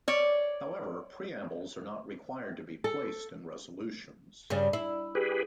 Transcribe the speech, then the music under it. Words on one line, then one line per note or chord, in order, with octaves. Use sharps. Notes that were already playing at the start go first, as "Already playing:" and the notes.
However, preambles are not required to be placed in resolutions.
C#5 D5
A4
G2 C#3 G3
E4
G4 G#4 B4